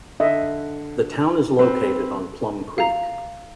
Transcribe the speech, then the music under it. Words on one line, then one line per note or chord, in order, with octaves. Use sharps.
The town is located on Plum Creek.
D3 D#5 E5
C4 B4
F5 A#5